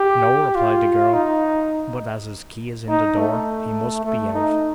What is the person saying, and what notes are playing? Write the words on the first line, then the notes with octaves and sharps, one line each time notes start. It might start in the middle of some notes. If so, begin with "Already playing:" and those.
"No," replied the girl, "but as his key is in the door, he must be out."
Already playing: G4
F4
D#4
D#4
A3
A3
D#4